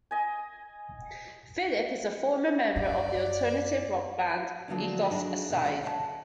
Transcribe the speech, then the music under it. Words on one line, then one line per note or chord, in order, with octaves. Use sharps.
Phillip is a former member of the alternative rock band Egos Aside.
D#5 G#5
F#2 D#4 D5
D3 F3 F#3 A#3 B3 D4
F#3 D4 D#4 F#4 G#4
E2 B2 D3 B3
D2 D#3 C#4 C5 F#5
B4 C#5 D#5 F5 G5 A5